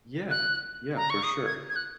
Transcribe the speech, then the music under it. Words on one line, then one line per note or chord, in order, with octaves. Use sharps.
Yeah. Yeah, for sure.
F#6
A#5
C#6
D#6
G#6
G#6
F#6